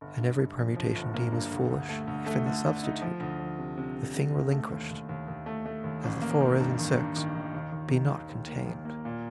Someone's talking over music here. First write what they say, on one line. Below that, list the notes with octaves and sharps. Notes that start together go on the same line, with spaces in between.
And every permutation deem as foolish, If in the substitute the thing relinquished, As the four is in six, be not contained.
G1
G2
G2
F3
F3
G1
A#3
G2
D2
D2
A3
D2
A3
D3
D3
D#4
F3
D2
F3
C3
C3
C3
C3
D2
A3
D#2
D#2
D#2
D#2
A3
A3
D#2
A1
A#3
D#3
G2
D#3
G2
D#3
D#3
D#2
D#3
D#3
D#2
D#2
A#3
D#2
A#3
A#2